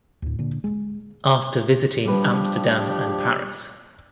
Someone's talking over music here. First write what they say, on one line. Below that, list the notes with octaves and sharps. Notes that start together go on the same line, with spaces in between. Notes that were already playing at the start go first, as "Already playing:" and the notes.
After visiting Amsterdam and Paris.
D2 A2
A#2 D3 D4
G#3
F3 G3 D4 G4 B4